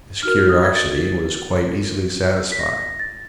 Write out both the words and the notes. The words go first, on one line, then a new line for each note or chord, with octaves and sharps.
His curiosity was quite easily satisfied.
D#4 F#4 A#4 F6
D#6
G#6
A6
D4 F4 A#4
B6
A#6
A6